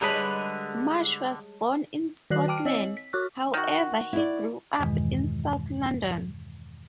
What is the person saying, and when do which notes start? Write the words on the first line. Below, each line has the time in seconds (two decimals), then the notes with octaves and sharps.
Marsh was born in Scotland, however he grew up in South London.
0.01 D3 G3 G#3 B4 C#5 A5 B5 D#6
2.30 D#3 F#4 D5 F#6 C7 F#7
2.48 G5 A5 D6 F6 D7
2.65 C4 C#5 D#5 E6 F#7
2.97 B6
3.13 F#4 C#5 C#6 D6 F6 F#6
3.54 D#3 F#4
4.13 E4 D5
4.79 E2 G2 B2 D#3 E3 G#3